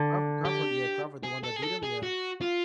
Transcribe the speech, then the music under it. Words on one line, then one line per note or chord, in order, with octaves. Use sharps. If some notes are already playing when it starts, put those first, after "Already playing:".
Crawford Crawford, yeah, Crawford, the one that beat him? Yeah.
Already playing: D3
G4
G#4
A4
G#4
A4
G#4
F#4
F4